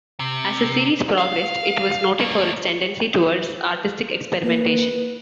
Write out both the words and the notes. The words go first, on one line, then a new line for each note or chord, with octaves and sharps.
As the series progressed, it was noted for its tendency towards artistic experimentation.
C3
F5
A3 A#3
A#3 B4